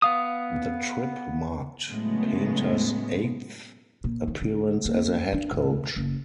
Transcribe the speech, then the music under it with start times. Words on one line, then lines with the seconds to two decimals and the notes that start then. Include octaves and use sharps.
The trip marked Painter's eighth appearance as a head coach.
0.02 B3 F5 D#6
1.89 A2 C#3 F#3 G#3 A3 B3
4.04 A#2
4.28 D#3
4.42 D3
4.85 A#3
5.33 D4
5.52 A2
5.96 F#1